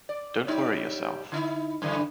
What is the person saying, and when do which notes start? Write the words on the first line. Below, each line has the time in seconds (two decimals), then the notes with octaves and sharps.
Don’t worry yourself.
0.09 D5
0.47 G3 D#4 C#5
1.32 D3 D#4 E4
1.82 F#2 D3 E3